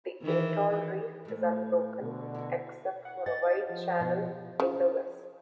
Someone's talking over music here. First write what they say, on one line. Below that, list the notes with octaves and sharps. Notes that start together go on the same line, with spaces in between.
The atoll reef is unbroken except for a wide channel in the west.
D#3 E3
A2 A3
B2 D3
E4 F#4
F#5
C5 D#5 F#5 A6
F3
B2
C#3